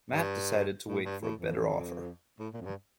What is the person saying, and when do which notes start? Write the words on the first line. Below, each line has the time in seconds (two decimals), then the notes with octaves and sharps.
Matt decided to wait for a better offer.
0.11 G2
0.88 A2
1.05 G2
1.22 A2
1.39 F2
2.39 A2
2.53 A#2
2.61 F2
2.65 G2